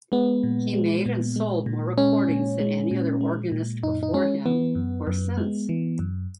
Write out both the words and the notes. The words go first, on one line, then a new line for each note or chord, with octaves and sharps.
He made and sold more recordings than any other organist before him, or since.
G#3 B3
A#2
G#3
A#2
G#3
A#2
G#3 C#4
A#2
G#3
A#2
G#3
A#2
F#2 D#4
D#4
G#3 C#4
E3 B3
F#2
F#2
G#3
E3
F#2